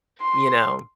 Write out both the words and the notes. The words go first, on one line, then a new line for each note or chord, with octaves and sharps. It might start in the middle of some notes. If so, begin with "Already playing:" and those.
you know,
C6